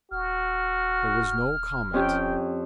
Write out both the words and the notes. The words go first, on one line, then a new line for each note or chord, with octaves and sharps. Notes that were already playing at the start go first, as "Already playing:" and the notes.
There was no comment.
D#1 F#4 F6
F2 C#4 G4 G5